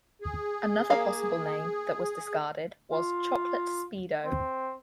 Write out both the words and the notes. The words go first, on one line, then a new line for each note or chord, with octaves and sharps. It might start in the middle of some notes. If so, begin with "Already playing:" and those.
Another possible name that was discarded was Chocolate Speedo.
G#4
A#3 F5
F4
C4